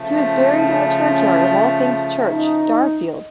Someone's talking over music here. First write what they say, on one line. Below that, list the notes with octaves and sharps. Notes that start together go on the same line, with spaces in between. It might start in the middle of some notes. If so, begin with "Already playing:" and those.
He was buried in the churchyard of All Saints Church, Darfield.
Already playing: C#3 F3 A3
C#4
C#4
D#4